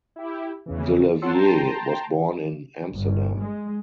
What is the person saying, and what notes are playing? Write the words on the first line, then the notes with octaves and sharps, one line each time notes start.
De Levie was born in Amsterdam.
E4 G4
E2 C#3 E3
F4 C#5 F#5 A5 C6 E6
G5 A5 A#5 C6
G1
G#3